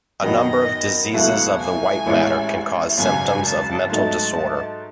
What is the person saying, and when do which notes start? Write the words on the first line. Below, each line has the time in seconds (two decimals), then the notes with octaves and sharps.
A number of diseases of the white matter can cause symptoms of mental disorder.
0.21 F#2 D#3 F#3 B3 D#4 D#5
1.13 C#2 B2 F#3 A3 E4 F#5
1.59 G#5
2.06 A1 A2 G#3 C#4 E4
2.97 G#1 F#2 C#3 F#3 G#5
3.43 A5
3.89 G#2 F#3 A3 D#4 A5